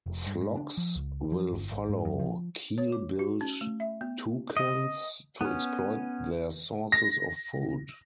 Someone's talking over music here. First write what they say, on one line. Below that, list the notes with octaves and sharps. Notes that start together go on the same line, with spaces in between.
Flocks will follow keel-billed toucans to exploit their sources of food.
F1
G2
G#2
D4
F3
C#2
F3
G1
G#1
G#2
F#2
F3
C#5
D6
F#4
C#4
A3
E5
B3
D#5
B3 C#4
A#6